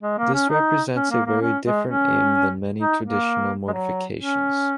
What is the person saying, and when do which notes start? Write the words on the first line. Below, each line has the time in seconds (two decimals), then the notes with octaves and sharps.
This represents a very different aim than many traditional mortifications.
0.03 G#3
0.18 A#3
0.34 C#4
0.49 D#4
0.96 C#4
1.11 A#3
1.26 A#3
1.42 C#4
1.65 G#3
1.87 C#4
2.80 D#4
3.03 A#3
3.68 G#3
3.72 F#3
4.18 C#4